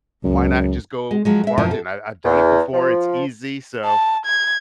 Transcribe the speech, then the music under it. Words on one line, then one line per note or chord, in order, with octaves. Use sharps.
why not just go bartend? I I've done it before, it's easy," so,
C#2 F#2
G#3
F3 F#3 G#3
G#3 E5
F#2 B2 F3 B3 E4
F#4 A4
E2
F3
A5
G#6